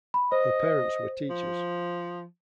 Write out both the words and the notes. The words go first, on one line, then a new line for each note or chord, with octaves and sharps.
Her parents were teachers.
B5
C5 D#5
F3